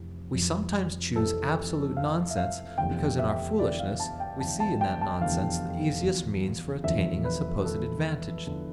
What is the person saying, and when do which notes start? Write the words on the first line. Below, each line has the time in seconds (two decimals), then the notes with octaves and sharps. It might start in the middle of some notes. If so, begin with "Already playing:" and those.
We sometimes choose absolute nonsense because in our foolishness we see in that nonsense the easiest means for attaining a supposed advantage.
Already playing: F1 F2 E3
0.34 F1 F2 E3
1.16 F1 F2 E3 A4
1.97 F1 F2 E3 F5
2.30 E5
2.37 F5
2.78 F1 E2 D3 G5
3.19 E5
3.59 F1 E2 D3 D5
3.79 F5
4.00 A5
4.20 G5
4.40 F1 E2 D3 A5
4.60 A5
4.81 G5
5.01 A5
5.21 F1 E2 D3 F5
6.02 E1 E2 D3 F3
6.84 E1 E2 D3 F3 E5
7.25 B4
7.65 E1 E2 D3 F3 A4
8.46 E1 E2 D3 F3